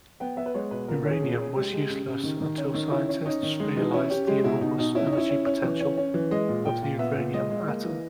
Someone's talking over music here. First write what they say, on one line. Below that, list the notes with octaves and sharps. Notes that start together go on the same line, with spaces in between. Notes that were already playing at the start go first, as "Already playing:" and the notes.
Uranium was useless until scientists realized the enormous energy potential of the uranium atom.
B3 G5
B3 E5
B4
G#3 C#5
B2 B4
A#2 A#4
C#4
G#4
A#2
G#4
C#4
G#3 G4
G#3
C#3
C#3
D#3
D#3
C#4
D#3
C#4 E4
C#4
C#4 D#4
D#3
G#3 D#4
E3 D#4
C#4 E4
C#4 G4
G#3 G4
G4
B2 E4
B2 D#4
B2 D#4
C#4 E4
D#4
C#4
E4
C#4
C#4
E3
C#4
C#4
E3
G#3 D#5
A#2
A#2 G5
A#2
B3 E5
A#2
G#3 D#5
G#3
A#3
E3